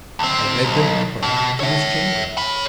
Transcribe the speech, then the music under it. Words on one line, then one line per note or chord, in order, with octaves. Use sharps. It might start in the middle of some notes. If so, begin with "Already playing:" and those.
I led them, at length, to his chamber.
D2 C4
B1
B2
C#5 E5
C#5 B5